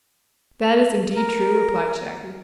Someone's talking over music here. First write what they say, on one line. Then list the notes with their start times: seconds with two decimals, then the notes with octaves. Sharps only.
"That is indeed true," replied Shaggy.
1.16 A#4